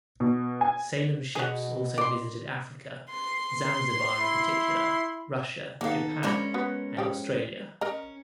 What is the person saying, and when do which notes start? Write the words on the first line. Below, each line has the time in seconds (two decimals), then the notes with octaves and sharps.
Salem ships also visited Africa - Zanzibar in particular, Russia, Japan, and Australia.
0.20 B2
0.61 G#5
1.35 B2 F#4 G#4
1.98 D5 C6
3.10 C6
4.19 E4
5.81 D#3 A#3 B3 A4 F5
6.23 F3 G#3 C#4 D4 A#4 B5
6.54 B3 F#4 B4
6.97 F3 G4 G#4
7.81 C#4 A#4 D#5 A#5